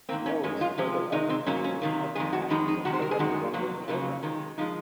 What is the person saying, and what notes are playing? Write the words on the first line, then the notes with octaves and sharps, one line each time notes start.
Nodes further up in the tree are the hashes of their respective children.
G#2 D#3 A#3 C4
C#4
F#2 D#3 G#3 C#4
F4
C3 F3 G#3 C#4
C3 D#3 G#3 D#4
C4
G#2 F#3 A#3 C#4
C#4
C3 D#3 A#3
F2 D#3 G#3 G#4
F#4
F2 D#3 G#3 D#4
D#4
C3 D#3 G#3 F#4
C5
A#4
G#4
F#2 D#3 G#3 F#4
F2 C3 F#3 A#3
F2 C#3 F#3 A#3 F4
C3 D#3 G#3
F3 G#3 D#4